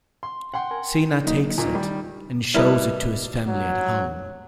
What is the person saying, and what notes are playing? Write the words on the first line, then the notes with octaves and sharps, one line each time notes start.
Seina takes it, and shows it to his family at home.
C6
F#5 G5 C6
A#4 G#5
F#3 A#3 D#4
D#2 A#2
D#3 G3
G3 A#3 E4 A4 B4 D#5
F#3